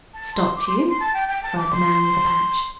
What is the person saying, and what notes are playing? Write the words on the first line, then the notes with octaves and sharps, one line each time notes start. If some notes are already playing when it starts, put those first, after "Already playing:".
"Stopped you?" cried the man with the patch.
A5
C6
D6
C6
C6
A5
G5
G5
A5
D6
C6